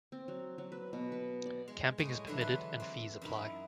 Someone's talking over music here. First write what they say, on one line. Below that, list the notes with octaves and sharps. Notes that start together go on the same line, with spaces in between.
Camping is permitted and fees apply.
C4
F#3
F#3
B4
B2
B4
D5
G#3
A2 G#3 C#5 D#5 G#5
D3 E3 F#3 G#3 D4 E4
B4 C6
C4
F#2 D#4 E4